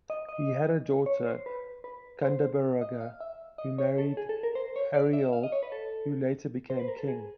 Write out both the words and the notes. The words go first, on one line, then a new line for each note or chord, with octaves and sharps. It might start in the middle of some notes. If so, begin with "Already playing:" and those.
He had a daughter Gundeberga who married Arioald who later became king.
D#5
D#5
C#5
C5
B4
B4
C5
D#5
F5
E5
D#5
C#5
A4
G#4
A4
A#4
C5
C#5
D5
E5
F5
D#5
C#5
B4
A4
C5
B4
A#4
A4
G#4